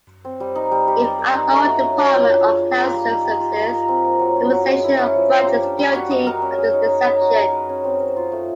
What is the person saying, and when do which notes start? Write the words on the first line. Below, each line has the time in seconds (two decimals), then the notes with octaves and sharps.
Even our own Department of Health Services, Immunization Branch is guilty of this deception.
0.25 C4
0.40 G3
0.55 D#4
0.71 G3
0.88 G4
1.04 D5
1.19 A#4
1.34 D#4
1.51 A3
1.67 F#4
1.83 C#4
1.99 F#3
2.14 F4
2.30 D4
2.45 G#4
2.62 D4
2.78 A#3
2.94 G3
3.10 D#4
3.25 G3
3.40 F4
3.56 D#5
3.73 A#4
3.88 C4
4.05 A#3
4.19 F#3
4.36 C#4
4.52 F#3
4.68 G#3
4.84 E4
4.99 C#4
5.15 F3
5.30 A#3
5.47 G4
5.63 D4
5.79 G3
5.95 F#4
6.11 D#5
6.27 A#4
6.42 C#4
6.58 G#4
6.73 D#4
6.89 C#5
7.05 D#4
7.21 F#4
7.37 C#4
7.53 B4
7.69 C#4
7.84 C4
8.00 A#4
8.16 F4
8.32 A3